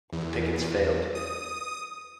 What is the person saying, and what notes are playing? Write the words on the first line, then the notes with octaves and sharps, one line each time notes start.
The pickets failed.
E2
D#6